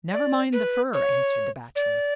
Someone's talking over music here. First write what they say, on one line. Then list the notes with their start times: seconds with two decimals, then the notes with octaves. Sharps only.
"Never mind the fur," answered the Bachelor.
0.13 D5
0.53 B4
0.94 C#5
1.76 D5